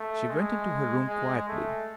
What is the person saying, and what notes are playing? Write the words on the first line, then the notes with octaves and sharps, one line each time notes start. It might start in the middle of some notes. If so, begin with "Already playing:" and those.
She went into her room quietly.
Already playing: A3
G#3
G#3
A3